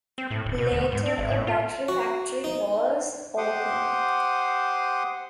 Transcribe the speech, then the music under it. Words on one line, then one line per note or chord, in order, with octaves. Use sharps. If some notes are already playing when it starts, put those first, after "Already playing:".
Later a battery factory was opened.
C4
A2
D1
B2
D2
G#2
C4
G#1
A2
F4
F#4
D#4
G4 C5 F#5 C6 D6 D#6